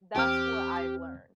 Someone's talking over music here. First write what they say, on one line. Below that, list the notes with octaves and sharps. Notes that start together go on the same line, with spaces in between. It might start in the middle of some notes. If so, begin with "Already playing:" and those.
That's what I've learned.
E2 C4 G4 F6